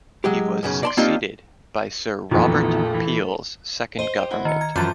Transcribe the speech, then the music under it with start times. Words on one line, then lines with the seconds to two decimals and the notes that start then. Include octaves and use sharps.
He was succeeded by Sir Robert Peel's second government.
0.24 F#3 G#3 G4
0.63 B1 F#2 C#3
0.83 D5 A5 C6
0.97 A#3 C4 D4 D#4 F4 G4
2.31 A#1 F2 A#2 D#3 E3 A3 B3
2.94 E3
3.99 C5 D#5 G7
4.17 G4
4.31 E4 F#4 B5
4.45 D#3 C#7
4.61 A#5 G#6
4.76 F#2 E3 F3 C5 A5 A#5 D6 A6